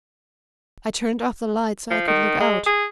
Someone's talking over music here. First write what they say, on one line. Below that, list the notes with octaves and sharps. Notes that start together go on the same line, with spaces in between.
I turned off the light so I could look out.
F3
D#3
G#3
G#4